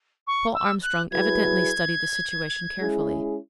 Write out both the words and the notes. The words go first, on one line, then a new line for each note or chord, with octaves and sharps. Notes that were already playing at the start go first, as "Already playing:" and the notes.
Paul Armstrong evidently studied the situation carefully.
C#6
E6
F#6
F#3 E4 G#4 B4 G#6
G#3 C#4 E4 G#4